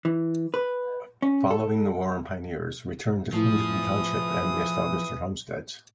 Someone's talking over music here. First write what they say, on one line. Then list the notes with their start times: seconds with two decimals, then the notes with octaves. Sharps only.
Following the war the pioneers returned to Clinton Township and reestablished their homesteads.
0.05 E3
0.54 B4
1.22 C#4
1.51 A4
3.32 E2 A2 E3 F3 A3 E4 D#6